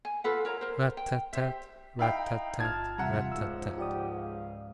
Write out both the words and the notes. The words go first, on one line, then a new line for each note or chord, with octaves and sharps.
'RAT--tat-tat, RAT--tat-tat, RAT--tat-tat.'
G#5
F4 A4 B4 F#5
A#4 C#5 A#5
A#4 C5
G5
G4 C5 E5
D#4 E4 F5 G5
G1 F4 A5 F6 G#6
E2 C3 G3 F4 E5 F#5 A#5
C#2 G#2 F3 E6
F4 G4 D5 D#6
F5